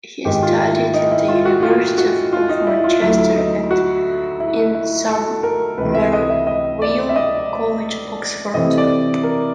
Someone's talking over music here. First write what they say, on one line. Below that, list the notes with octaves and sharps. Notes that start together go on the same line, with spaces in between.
He studied in the University of Manchester and in Somerville College, Oxford.
G#2 D#3 G#3 G4
F4
E4
E4
D#4
E4
F4
F#4
F4
F#4
F4
D#4
E4
F4
D2 D3 F#3 A3 E4
D#4
F#4
E4
E4
A4
A#4
C#2 C3 E3 A3 B4
E5
D#5
E5
D#5
D5
E5
D#5
C3 E3 A3 C4 D#5
D5
A#4